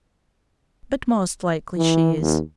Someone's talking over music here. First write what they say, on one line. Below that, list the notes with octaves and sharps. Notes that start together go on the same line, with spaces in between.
But most likely she is.
E3
D#2